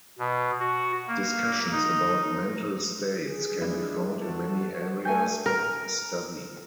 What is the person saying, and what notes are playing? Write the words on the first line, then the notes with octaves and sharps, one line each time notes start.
Discussions about mental states can be found in many areas of study.
B2
F#4
A#3
D#4
G#4
G#3 D4 E4
F#4 A4
A3 G5 G#5 G6
A#4